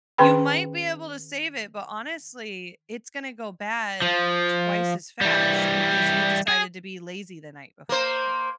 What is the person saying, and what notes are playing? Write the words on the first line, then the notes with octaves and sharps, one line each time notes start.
you might be able to save it, but honestly, it's gonna go bad twice as fast because you decided to be lazy the night before.
D#3 C#4 G#4 B4 G5 B5
F3
E3 G3
G#4
A#3 C5